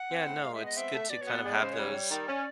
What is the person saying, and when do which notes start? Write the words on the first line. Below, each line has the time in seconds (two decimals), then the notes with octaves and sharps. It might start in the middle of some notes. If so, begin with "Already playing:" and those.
Yeah. No. It's good to kinda have those
Already playing: F#5
0.10 C4
0.26 A2
0.42 G#3 F5
0.54 E5
0.60 B3
0.66 D#5
0.76 C4 E5
0.93 A3
1.10 B2 D5
1.21 C#5
1.27 B3
1.33 D5
1.43 G#3 D5
1.53 C#5
1.61 C#3 C5
1.73 G3 C#5
1.93 G3
2.11 D#3 D5
2.28 C#4